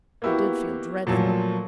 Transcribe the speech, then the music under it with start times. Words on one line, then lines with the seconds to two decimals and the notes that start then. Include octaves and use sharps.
I did feel dreadful.
0.22 A#3 B3 E4 F#4 G4
1.07 A#2 F3 F#3 A3